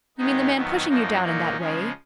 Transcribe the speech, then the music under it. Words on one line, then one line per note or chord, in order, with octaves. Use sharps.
"You mean the man pushing you down in that way?"
D#2 D#3 G#3 B3 D#4
F2 D#3 F#3 B3
F#2 F3 A#3 D#4
A#2 F#3 A#3 D#4
C#3 F3 G#3 C#4